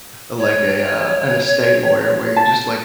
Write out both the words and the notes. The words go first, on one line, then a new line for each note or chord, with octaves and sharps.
like a, uh, an estate lawyer where you're just
C#5
A5